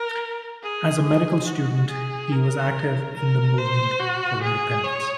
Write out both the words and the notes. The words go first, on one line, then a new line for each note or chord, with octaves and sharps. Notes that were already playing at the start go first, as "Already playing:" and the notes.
As a medical student he was active in the movement for independence.
Already playing: A#4
G#4
G#4
F#4
G#4
A#4
A#4
C5
F#4
G#4
C#5